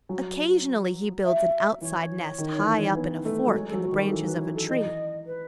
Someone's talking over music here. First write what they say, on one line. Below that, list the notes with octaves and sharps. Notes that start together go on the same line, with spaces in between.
Occasionally he builds an outside nest high up in a fork in the branches of a tree.
F#3
E5
E3 C#5
D#3
E3
E3
B3
A3
F#3
G#3 C#5
A4
F#3
F#4
D#3
F#4
G#4
E3 A4
F#3 B4
E3 C#5
A4
E3 D#5
B4